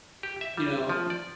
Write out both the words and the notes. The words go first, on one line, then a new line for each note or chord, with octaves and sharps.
you know?
G4
E5
G3
F3
D5